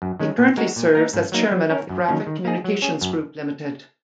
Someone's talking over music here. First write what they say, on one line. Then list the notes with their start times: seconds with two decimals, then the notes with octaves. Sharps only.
He currently serves as Chairman of the Graphic Communications Group Limited.
0.02 F#2
0.20 D#3 G#3 C#4
0.38 A#2
0.57 G#3 F#4 A#4
0.76 A#2
0.95 A#3 D#4 A#4
1.14 G#2
1.32 F#3 A#3 D#4
1.52 F#3
1.70 C#4 A#4
1.89 F#2
2.08 D#3 F#3 A#3 C#4
2.27 D#3
2.45 A#3 D#4 G#4
2.64 F#3
2.82 C#4 G#4
3.01 F#2